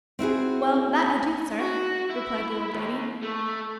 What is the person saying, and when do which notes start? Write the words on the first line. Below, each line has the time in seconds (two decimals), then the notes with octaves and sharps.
'Well, that I do, sir,' replied the old lady.
0.19 C4 E4 F#4 G#4
1.61 F#4
2.10 E4
2.74 D#2
3.23 A3